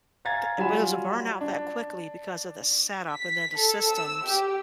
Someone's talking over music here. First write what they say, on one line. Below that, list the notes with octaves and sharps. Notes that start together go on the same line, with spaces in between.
Bu but it was a burnout that quickly because of the setup and then the systems
F5 G#5 A#5 G#6 A6
F#3 G3 F4 G#5 B5 E7
D4
B6
A4
E6
G4